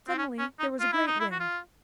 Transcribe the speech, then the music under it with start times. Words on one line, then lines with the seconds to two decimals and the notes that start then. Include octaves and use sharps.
Suddenly there was a great wind.
0.08 C4
0.18 C#4
0.39 C#4
0.59 D#4
0.80 F4
0.93 E4
1.07 D#4
1.20 E4
1.32 F#4
1.40 F4